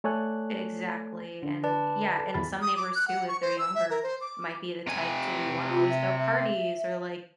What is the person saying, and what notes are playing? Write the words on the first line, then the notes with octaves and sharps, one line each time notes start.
Exactly, and yeah, and some neighbors too, if they're younger, might be the type to wanna always throw parties or, like,
A3 A4 C#5 D5 G#5 F#6
D3
B4 D5 A5
A4
E2 B5 A6
D#6
D6
F#6
F#5
C#6
C5
E6
E5
A#4
C5
D6
C3 G#5
F4
E5
E5